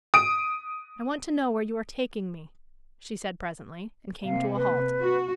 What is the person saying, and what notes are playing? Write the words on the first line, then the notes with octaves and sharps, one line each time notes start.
"I want to know where you are taking me," she said presently, and came to a halt.
D#6 D7
C3 A#3 F5
B4
F#4